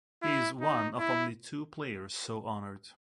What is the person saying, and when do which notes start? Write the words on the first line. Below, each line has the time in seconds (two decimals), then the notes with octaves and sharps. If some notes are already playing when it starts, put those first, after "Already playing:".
He is one of only two players so honored.
0.22 E4
0.61 D#4
0.99 E4